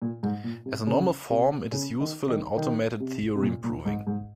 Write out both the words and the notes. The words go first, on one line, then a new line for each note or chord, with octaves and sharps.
As a normal form, it is useful in automated theorem proving.
A#2
G#2
A#2
C3
C#3
C3
C#3
D#3
D#3
D#3
C3
C3
A#2
A#2
G#2
G#2